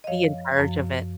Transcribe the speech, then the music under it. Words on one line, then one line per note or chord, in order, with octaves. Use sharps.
be in charge of it.
D#5
F#2 F3 C#5 F5
F#2 F3